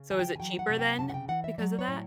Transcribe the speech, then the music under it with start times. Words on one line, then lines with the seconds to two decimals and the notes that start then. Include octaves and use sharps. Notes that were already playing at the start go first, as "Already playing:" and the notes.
So is it cheaper then because of that?
Already playing: C#3
0.10 E3 G#5
0.19 G5
0.35 G#5
0.40 F#3 G5
0.59 F#5
0.69 C3
0.79 G5
0.99 C#3 A5
1.09 F#5
1.14 G5
1.28 E3 F#5
1.44 E5
1.58 F#3 D5
1.79 C#5
1.88 A2